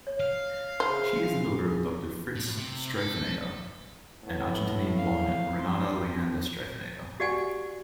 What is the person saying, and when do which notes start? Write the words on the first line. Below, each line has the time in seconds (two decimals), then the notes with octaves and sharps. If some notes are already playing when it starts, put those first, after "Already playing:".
She is the daughter of Doctor Fritz Streifeneder and Argentinian-born Renata Leander-Streifeneder.
0.07 C#5
0.20 F5
0.80 C#3 F4 G#4 C5 E5 B5
2.35 A2
2.58 C3
2.98 A4
4.24 A2 B3
4.97 F5
5.59 C6
7.20 F#4 G4 D5 F#5 G#5